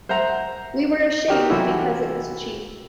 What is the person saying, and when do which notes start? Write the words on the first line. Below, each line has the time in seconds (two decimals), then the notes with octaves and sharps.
We were ashamed because it was cheap.
0.09 C5 E5 F#5 A#5
1.28 D#4 F#4 G4 A#4 F#5
1.50 C3 E3 F#3 E4 F#4 A4